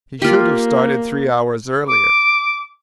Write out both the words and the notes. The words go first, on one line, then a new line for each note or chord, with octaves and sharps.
He should have started three hours earlier.
A#3 F4 G4
D6